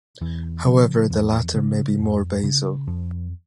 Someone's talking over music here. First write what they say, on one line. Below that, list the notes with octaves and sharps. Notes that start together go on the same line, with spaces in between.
However, the later may be more basal.
E2 E3
C#3 F3
E2
C#3
F2
C#3
F2 F3